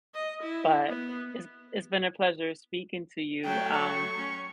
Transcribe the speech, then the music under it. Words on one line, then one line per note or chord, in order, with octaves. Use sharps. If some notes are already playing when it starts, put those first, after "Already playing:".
But, it's it's been a pleasure speaking to you. Um,
D#5
E4
B3
F#3 A3 G5
C#6
C#4